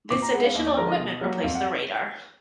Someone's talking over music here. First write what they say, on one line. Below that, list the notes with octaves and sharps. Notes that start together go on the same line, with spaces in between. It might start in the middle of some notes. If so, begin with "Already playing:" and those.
This additional equipment replaced the radar.
A#2 D6
A#5
G#3 B3 F#5
F5
D#2 D#5
D5
D3 F3 G#3 A#4
D#5
B2
F#3 A#3
F2 F5
F#5